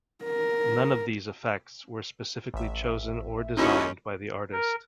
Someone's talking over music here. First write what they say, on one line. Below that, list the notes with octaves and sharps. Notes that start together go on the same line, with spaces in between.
None of these effects were specifically chosen or designed by the artist.
A#4
A1 E5
D#2 G#3 C#4 D#4 E4 F#4
A#4